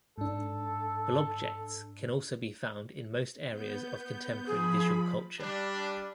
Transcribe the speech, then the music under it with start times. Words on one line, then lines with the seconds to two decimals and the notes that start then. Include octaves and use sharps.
Blobjects can also be found in most areas of contemporary visual culture.
0.18 G#2 D4 A4
3.49 B3 G6
4.47 F3 G#4 B5
5.39 G3 D4